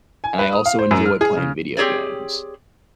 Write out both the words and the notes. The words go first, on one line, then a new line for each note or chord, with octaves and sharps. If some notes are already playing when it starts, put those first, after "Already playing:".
and I also enjoy playing video games,
G#5
B4
D#6
F5
C5
F#2
F6
G#4
C#3
C4 G4 G#4 C#5 D5